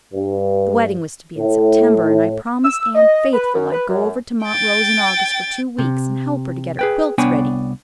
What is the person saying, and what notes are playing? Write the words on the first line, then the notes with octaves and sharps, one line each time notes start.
The wedding was to be in September, and I promised Anne faithful I'd go over to Montrose in August for two weeks and help her to get her quilts ready.
G2
A2
E6
D#5
B4
F#2
B4
F#2
G5 A6
C3
G#4 B4 G5
C2 B3 D4 C#5 G5 G#5